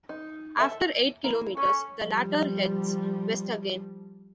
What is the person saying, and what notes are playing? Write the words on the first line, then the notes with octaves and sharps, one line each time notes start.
After eight kilometres, the latter heads west again.
D#4
A4 E5 A5
A#3 E4
C#4 A4
F3 G3